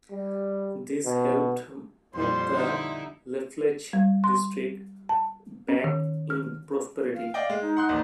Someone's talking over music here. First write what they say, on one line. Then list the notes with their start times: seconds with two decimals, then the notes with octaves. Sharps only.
This helped put the Lafleche district back in prosperity.
0.11 G3
1.05 B2
2.15 F2 A#2 G3 C5 C6
2.51 D3 D#4 E4
3.93 G3
4.24 C6
5.09 A5
5.69 C#4
5.84 D#3
6.30 F6
7.15 F5
7.34 D5 D#5 G5
7.50 G#3
7.62 D#4
7.77 F#5 C6 F#6
7.89 A1 D#2